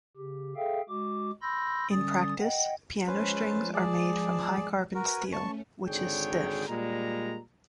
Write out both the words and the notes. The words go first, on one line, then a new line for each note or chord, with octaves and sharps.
In practice, piano strings are made from high-carbon steel, which is stiff.
C#3 G4
G#4 A4 E5 F5 G5
G#3 F#4 D6
B5 C6 E6 G6 A#6
D3 G3 C#4 D#6 A6
D#5 F#5 G5
F3 G#3 C#4 B4 C5 A5
G#4 D5
F#4 A#4 B4 G#5
A3 C#4 A5 C#6
G#1 D3 G#4 C#5 G5
A#2 G3 G#3 A#5